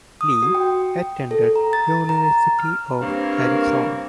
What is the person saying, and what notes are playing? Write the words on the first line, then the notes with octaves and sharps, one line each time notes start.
Lee attended University of Arizona.
D#6
F#4
G5
A4
A#5
A6
A#5
F6
G2 A#3 C4 A#4 C#5